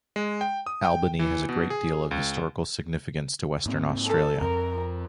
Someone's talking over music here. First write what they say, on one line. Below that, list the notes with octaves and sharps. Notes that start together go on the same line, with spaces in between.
Albany has a great deal of historical significance to Western Australia.
G#3
G5
D#6
G5
E3
B2
G#4
C#2
G#2 A#3 C4
A4
F2 A#4